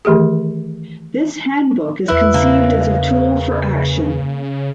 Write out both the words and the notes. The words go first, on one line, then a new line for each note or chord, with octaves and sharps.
This Handbook is conceived as a tool for action.
D#3 E3 A3 G4 G#4
E2 E4 B4 F#6
C#3 A#3